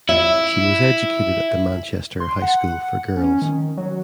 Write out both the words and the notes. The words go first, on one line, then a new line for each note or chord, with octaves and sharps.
She was educated at the Manchester High School for Girls.
E4 E5
C6
F#5
C#4
D#3
F#3